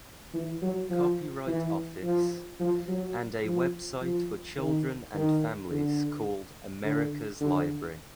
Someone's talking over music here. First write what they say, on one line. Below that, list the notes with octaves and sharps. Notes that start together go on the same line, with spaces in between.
Copyright Office; and a web site for children and families called America's Library.
E3
F#3
F3
E3
F3
F3
F#3
F3
F3
D#3
D#3
D3
D3
D3